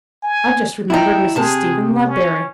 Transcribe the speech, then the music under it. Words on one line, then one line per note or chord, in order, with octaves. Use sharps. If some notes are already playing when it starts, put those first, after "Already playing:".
I’ve just remembered Mrs. Stephen Ludberry.
G#5
D#4 E4 G5
C3 G#4 A5
C#4